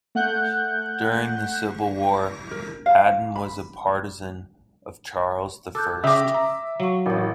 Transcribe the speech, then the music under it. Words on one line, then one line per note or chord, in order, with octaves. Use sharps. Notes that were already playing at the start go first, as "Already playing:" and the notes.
During the Civil War, Hatton was a partisan of Charles the First.
A3 F#5 F#6 G6
A#4
F5
B5
A4 D6 F#6 G6
C#3 E5 G5 D6 D#6 A#6
A#5
F#3 F5 C#6
A1 A#4 C#5